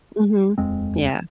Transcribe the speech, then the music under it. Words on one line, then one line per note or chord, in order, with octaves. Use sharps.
Mhm. Yeah.
D#1 F2 G#3 C4